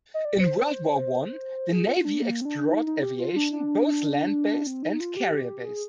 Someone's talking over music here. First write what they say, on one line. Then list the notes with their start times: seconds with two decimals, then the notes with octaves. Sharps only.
In World War One the Navy explored aviation, both land-based and carrier based.
0.14 D#5
0.25 D5
0.40 C5
0.57 C5
1.72 G#4
1.88 F4
2.05 D4
2.22 A#3
2.41 C4
2.45 D4
2.71 D#4
2.87 D#4
3.03 G4
3.19 F4
3.36 D4
3.53 D4
4.67 C4
4.83 D#4
5.00 F4
5.17 G4
5.65 G#4